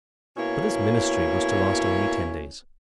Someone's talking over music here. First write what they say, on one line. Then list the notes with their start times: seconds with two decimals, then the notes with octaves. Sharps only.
But this ministry was to last only ten days.
0.38 B2 A#3 C#4 E4 C#5